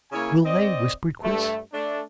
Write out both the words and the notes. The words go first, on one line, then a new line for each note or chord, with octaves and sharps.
"Will they?" whispered Chris.
C#3 A#3 E4 C#5 G#5
C4 D5 D#5
G2 A3
A3 D4